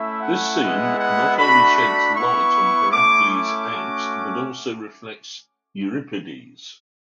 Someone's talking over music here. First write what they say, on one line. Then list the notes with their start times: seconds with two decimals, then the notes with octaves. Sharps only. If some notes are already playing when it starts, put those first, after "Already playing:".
This scene not only sheds light on Herakles' angst but also reflects Euripides'.
Already playing: A3 C#4 E4 E5
0.22 F#5
0.61 G#3 B3 E4
0.99 F#5
1.38 A3 D4 F#4 B5
1.77 B5
2.15 B3 E4 C#6
2.92 A3 C#4 E4 D6
3.31 D6
3.70 A3 C#4 F#4